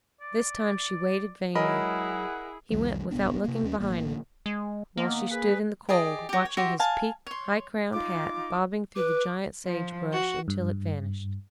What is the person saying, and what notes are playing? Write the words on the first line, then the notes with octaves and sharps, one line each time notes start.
This time she waited vainly. He went without looking behind him, while she stood in the cold watching his peaked high-crowned hat bobbing through the giant sagebrush until it vanished.
D5
F#3 G#3 E4 G#4 A#4 D#5 F#5 B5
C2 F2 D#3 G3
D1 C2 B3 D4
C3 A#3
D#2 C#4
A1 A#3
G#3
D#3 A#3 B3
G#4 B4
G4 G#4 D5 D#5
F#4 G4
C#5
F#4 G4 E5 C6
F5 G#5 A5
C#5 C6
D#4 F4 D6
B4 D6
F3
F#4
G2